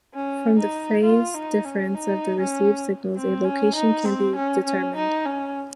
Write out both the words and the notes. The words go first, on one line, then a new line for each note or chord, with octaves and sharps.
From the phase difference of the received signals, a location can be determined.
C#4
D#4
F4
D#4
C#4
D#4
C#4
C4
C#4
D#4
C4
C#4
C#4
D#4
C#4